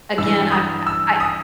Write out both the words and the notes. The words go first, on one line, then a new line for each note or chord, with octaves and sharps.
again I've I I
G2 E3 E6
D#6
E6
D#6